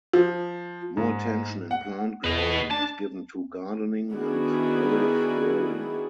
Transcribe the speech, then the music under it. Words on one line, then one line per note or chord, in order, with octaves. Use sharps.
More attention in plant growing is given to gardening and olive growing.
F3
G#2
F#5
E2 B4 D#5
D4 A5
D#3 B3 D4 E4 F#4 G#4